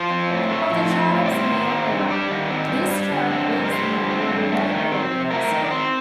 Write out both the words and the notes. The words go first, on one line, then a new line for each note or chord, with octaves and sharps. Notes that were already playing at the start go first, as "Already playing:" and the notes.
Of the tribes in the area, this tribe lives in the more remote areas.
Already playing: F3 C5
C4
A2
A3
F3
C4
A2
D5
G3 C5
D#3
C4
G2
G3 D5
D#3
C4
G2
G3
D3
C4
G2
A#4
G3 C5
D3
C4
G2
A3
D#3
C4
C3
A3 A#4
D#3
D5
C4 C5